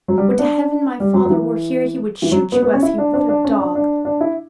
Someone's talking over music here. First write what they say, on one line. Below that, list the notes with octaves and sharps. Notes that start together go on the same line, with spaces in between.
Would to heaven my father were here, he would shoot you as he would a dog!
F#3
G3
B3
D4
G3
F#3
F#3
E3
E3
F#3
B3
B3
C#4
E4
D4
D4
D4
C#4
D4
D4
D4
E4